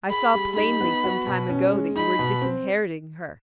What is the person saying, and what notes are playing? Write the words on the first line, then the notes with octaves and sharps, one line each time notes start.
I saw plainly some time ago that you were disinheriting her.
G#4 B5
G3
D#4 B5
B3
F#4
B2
C#4
G#3
D#4 B5
B2
C4